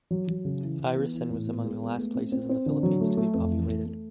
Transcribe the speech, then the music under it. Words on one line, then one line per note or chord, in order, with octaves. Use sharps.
Irosin was among the last places in the Philippines to be populated.
F#3
F#3
C#3
E3
E3
B3
E3
A2
B3
G#3
B3
A3
C4
C4
C4
D3
F#3
A3
A3
F2
E3
A3
A3